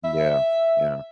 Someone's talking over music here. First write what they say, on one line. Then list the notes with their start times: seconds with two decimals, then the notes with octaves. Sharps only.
Yeah. Yeah.
0.03 E5